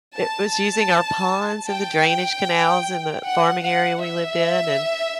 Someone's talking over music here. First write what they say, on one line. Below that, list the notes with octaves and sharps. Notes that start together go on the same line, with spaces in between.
It was using our ponds and the drainage canals in the farming area we lived in, and
A5
G5
F#5
F#5
E5